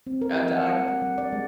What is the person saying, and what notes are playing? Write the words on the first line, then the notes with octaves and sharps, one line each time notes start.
A dog?
C4
A#4
G4
F#5
D5
F#5
G3
D5
G#3